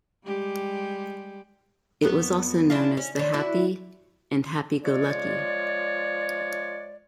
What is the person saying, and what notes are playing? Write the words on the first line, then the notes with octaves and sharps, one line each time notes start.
It was also known as The Happy, and Happy Go Lucky.
G3 G#3 G4
F2 F#3 B3
D4 E4 F4
C#4
D4 C#5
E4 F#4 D5
F3 G#3 C#5 D5